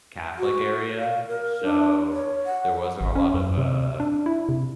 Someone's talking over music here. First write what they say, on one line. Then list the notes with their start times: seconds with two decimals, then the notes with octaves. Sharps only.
Catholic area, so, there wasn't a lot of, uh,
0.39 F#4
0.99 F5
1.28 A#4
1.64 D4
2.13 C#5
2.46 F#5
3.01 G#1
3.16 C#4
3.34 F#2
3.58 C3
4.00 D4
4.26 E4
4.49 C3